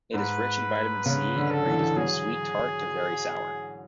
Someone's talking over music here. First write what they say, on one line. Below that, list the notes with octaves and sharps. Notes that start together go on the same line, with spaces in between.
It is rich in Vitamin C and ranges from sweet-tart to very sour.
G#2 B4
C#3 B4
D3
A4
E3
F#3 G#4